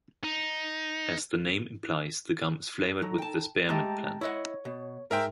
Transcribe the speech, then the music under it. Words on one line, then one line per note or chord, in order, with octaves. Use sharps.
As the name implies the gum is flavored with the spearmint plant.
D#4
F#3 D#4 A4 A#5
G5 A5
G#3 A3 G4 G5 A5 A#5
E4 C#5 D#5 F#5
B2
G#2 G#4 A#4 C5 E5 G5